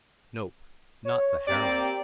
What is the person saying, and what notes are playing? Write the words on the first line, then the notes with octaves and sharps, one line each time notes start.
Nope, not the harem.
C#5
A#3 C4 G4 D5